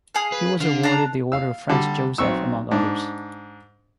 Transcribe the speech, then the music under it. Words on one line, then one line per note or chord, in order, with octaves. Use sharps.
He was awarded the Order of Franz Joseph among others.
G#4 F5
B4
D3 F5
D4 F5 A#5
F5 E6
D3 G3
B1 C4 C#6 E6
G#2 D4